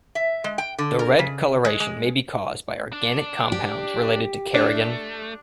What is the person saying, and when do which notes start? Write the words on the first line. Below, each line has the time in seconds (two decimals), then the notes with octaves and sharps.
The red coloration may be caused by organic compounds related to kerogen.
0.15 E5
0.44 G#3
0.58 G5
0.78 D3
0.99 A#4
1.19 C#3
1.65 G#3
1.80 G#3
2.93 D4
3.52 G4
4.54 A3 D4